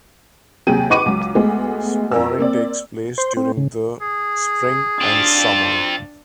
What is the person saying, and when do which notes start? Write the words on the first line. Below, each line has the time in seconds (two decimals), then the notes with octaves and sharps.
Spawning takes place during the spring and summer.
0.67 D#2 C3 F#3 G#4 G5 D#7
0.90 D#4 B4 F#5 C#6 D6 D#7
1.06 C#2 F#3
1.35 D2 G#3 A3 B3
2.12 F2 A#4 E6
2.39 A#3 C4 D5
3.18 C5
3.37 C4
3.57 C#3
4.01 G#4
5.01 C4 D4 F4 A6